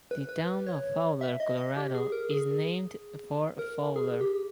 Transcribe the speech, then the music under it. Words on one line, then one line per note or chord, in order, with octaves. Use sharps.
The town of Fowler, Colorado is named for Fowler.
B4
B4
C#5
E5
D#5
D#5
G4
G#4
A#4
G#4
A#4
G#4
G4